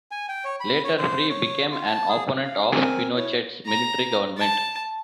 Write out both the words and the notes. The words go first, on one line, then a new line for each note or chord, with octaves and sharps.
Later, Frei became an opponent of Pinochet's military government.
G#5
G5
C#5
B5
C#5
C5
C#5
F4
A5
G#4
F5
C4 A#4 G#5
E4 C#5
A#5
A5